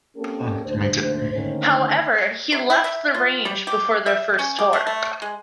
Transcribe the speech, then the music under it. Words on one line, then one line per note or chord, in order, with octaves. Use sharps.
However he left the Range before their first tour.
A#3 C4 C#4 G4 A4 A#4
D2 G#2 D4 C5
D3 D#3 A3 A#3 C#4 C5
C3
E4
E5
F4
G3
G4
E5
C#4
G4
A3
A3
G#3